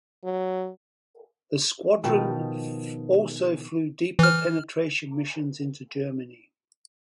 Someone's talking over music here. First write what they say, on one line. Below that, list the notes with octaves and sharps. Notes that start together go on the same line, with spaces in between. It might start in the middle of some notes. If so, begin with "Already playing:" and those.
The squadron also flew deeper penetration missions into Germany.
F#3
B2 D#3 F3
E3 F6